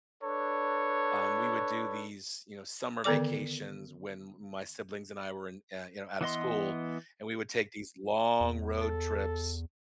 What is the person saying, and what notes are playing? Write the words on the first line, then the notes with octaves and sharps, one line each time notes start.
um, we would do these, you know, summer vacations when m my siblings and I were in, yeah, you know, outta school, and we would take these long road trips,
D4 A4 B4 C#5
D3 D#3 B3 A4 D5 D6
E3 B3 D#5 C6
E2
A4